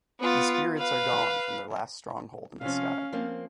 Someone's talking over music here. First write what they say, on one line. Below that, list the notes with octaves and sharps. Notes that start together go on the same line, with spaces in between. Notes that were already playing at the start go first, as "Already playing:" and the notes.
The spirits are gone from their last stronghold in the sky.
B3 F4
B4 F5
C3 F3 C#4 F5
F3 A#3 C4